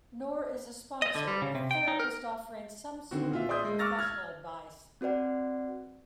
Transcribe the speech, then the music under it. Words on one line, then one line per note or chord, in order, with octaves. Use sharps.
Nor is a sponsor a therapist offering some sort of professional advice.
D#5
D3
G3
C#3
C3
G5
D#4
A#4
D3 D#3 C4 F#4
A#2 F4 E5
G#4 D5 E5 C6 D#6 G6
G#3
C#6 D6 E6 F6 A6 A#6
F6 G#6
C4 F#4 B4 D5 F#5